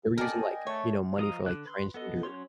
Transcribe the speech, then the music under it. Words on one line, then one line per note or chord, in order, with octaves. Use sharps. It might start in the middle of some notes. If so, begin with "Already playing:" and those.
they were using, like, you know, money for, like, transgender
A4 A#4 D5 D#5 G5 G#5
A3 C#5
F3 D#5 F5 A#5 D#6
D3 D4 F#6
B4 C6
B3 A4 D#5
F#3 C#4 C#5 C6